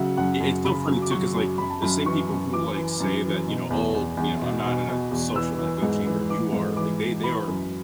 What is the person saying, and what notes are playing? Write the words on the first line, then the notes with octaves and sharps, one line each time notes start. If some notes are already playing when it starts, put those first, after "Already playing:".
I it's so funny, too, 'cause, like, the same people who, like, say that, you know, "Oh" you know, "...I'm not in a social echo chamber. You are." Like, they they are
Already playing: C#3 F#3 E5 F#5
F#2 F#5
F#2
C#3 B5
F#3
D6
F#3 C#6
F#2
F#2 B5
A5
F#2 B5
E3 C#6
F#2
E3 D6
E3
F#2
E3
B2
E2
E2
E2
B2
B2
B2
E2
E3 E6
E3
G#2
E3
E3 D6
G#2
E3 D6
E3
E3 B5
F#2